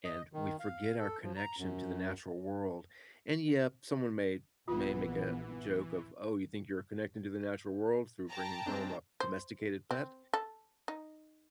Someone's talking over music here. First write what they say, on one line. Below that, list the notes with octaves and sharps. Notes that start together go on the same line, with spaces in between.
and we forget our connection to the natural world. And, yep, someone may may make a joke of, "Oh, you think you're connecting to the natural world through bringing home a domesticated pet?"
D#5
D#3
F5
A4
F3
A#5
F#2
A#1 E3 B3 F4 D#6
G5 A5 A#5
G#3 C4 D4
C5
C4
A4
D#4